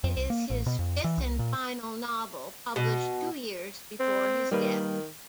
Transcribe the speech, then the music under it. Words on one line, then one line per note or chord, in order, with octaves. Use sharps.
It is his fifth and final novel, published two years before his death.
F2
C2
A#3
A1
B2
F2
E3
C2
A#2
B2
C4
D#3 G3 A#3 B4